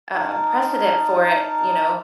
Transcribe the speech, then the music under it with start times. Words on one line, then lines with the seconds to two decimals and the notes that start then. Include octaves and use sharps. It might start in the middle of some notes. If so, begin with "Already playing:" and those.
um, precedent for it, you know,
0.13 D#4 A#4 A5